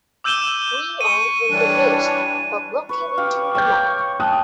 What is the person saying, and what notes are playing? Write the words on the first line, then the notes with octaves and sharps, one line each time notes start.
We are in the midst of looking into the matter.
D6 E6 G6 D#7 E7 G7
C#6 D#7
E3 G3 D4 C#5
B4 C#6
G4 F5
C#5 G5 D6 F6 G6
G5 A5 D#6 F#6